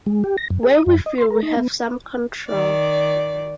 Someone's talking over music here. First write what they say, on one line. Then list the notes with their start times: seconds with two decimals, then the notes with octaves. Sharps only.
Where we feel we have some control.
0.06 G#3
0.24 G4
0.38 A#6
0.50 F#2
0.63 G#4
0.75 D#6
0.86 F#2
1.06 D#5
1.18 C6
1.30 A#4
1.43 D#4
1.57 B3
2.47 D#3 D5